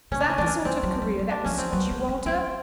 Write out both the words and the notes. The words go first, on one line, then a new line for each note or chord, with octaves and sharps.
Is that the sort of career that will suit you, Walter?
C#3 C#4
D4
C#4
E3 D4
C#4
F3 C4
F#3
F#3
F#3
D4
F3 C#4
C4
F#3 B3
G#3
C4
C4 C#4